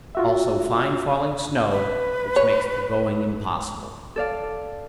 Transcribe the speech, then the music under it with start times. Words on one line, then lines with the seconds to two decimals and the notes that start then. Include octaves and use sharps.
Also fine falling snow, which makes the going impossible.
0.15 F4 F#4 E5
1.72 B4
2.36 C#5
4.16 A4 D5 F5